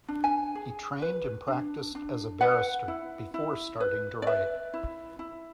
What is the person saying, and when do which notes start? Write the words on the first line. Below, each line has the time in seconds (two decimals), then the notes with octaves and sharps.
He trained and practiced as a barrister, before starting to write.
0.09 D4
0.24 G#5
0.55 G#4
1.02 B4
1.48 D4
1.95 D4
2.41 B4 F#5
2.88 E4
3.34 E4
3.80 B4
4.22 D5
4.27 B4 E5
4.74 E4
5.19 E4